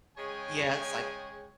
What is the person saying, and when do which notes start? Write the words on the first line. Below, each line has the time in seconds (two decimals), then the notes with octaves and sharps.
Yeah. It's, like
0.18 C#3 G#3 C#5 G5 G#5